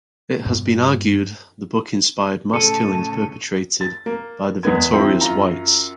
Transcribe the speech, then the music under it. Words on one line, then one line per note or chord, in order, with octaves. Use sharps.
It has been argued the book inspired mass killings perpetrated by the victorious Whites.
G2 B3
A2 C#3 A4 A5 C#7 D#7
A6
A#3
E2 G#3 B3 G#6
D#3 F3 A#3 C4 E4
F#2 F4 A#5